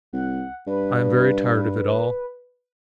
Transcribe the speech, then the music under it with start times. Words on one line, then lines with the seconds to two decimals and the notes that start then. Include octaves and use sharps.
I am very tired of it all....
0.13 C2 F#5
0.67 G2 B4